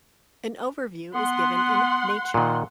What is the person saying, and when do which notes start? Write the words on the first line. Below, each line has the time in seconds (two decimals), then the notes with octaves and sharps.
An overview is given in Nature.
1.15 B3 F#5 C6
2.34 A#2 D#3